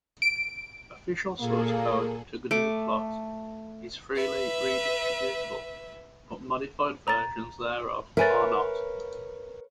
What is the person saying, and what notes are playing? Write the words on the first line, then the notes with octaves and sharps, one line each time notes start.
Official source code to gnuplot is freely redistributable, but modified versions thereof are not.
D7
A#2 A#3 G#4 A4
A3 D6
B4 E5
A#5 A6
A#4 B4 C#5 E5 G#5 A6